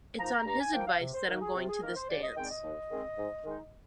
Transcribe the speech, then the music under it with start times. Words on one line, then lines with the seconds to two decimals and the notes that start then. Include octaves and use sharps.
It's on his advice that I'm going to this dance.
0.19 F3 A#3 D#4 A#5
0.32 A#5
0.46 G2 A#5
0.60 G#5
0.73 F3 A#3 D#4 G5
0.87 F5
1.01 C3
1.14 C5
1.27 D#3 A#3 D#4 A#4
1.41 G#4
1.55 C3 F4
1.69 G#4
1.82 D#3 A#3 D#4 A#4
1.96 C5
2.08 D#2 D5
2.22 D#5
2.37 D#3 G#3 C4 G5
2.45 D5
2.50 D#5
2.63 D#2
2.90 D#3 G#3 C4
3.17 G#2
3.44 D#3 G#3 D#4